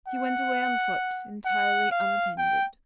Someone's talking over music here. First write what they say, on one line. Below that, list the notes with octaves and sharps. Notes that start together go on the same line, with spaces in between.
He went away on foot, entirely unattended.
F#5
F#5
F5
G5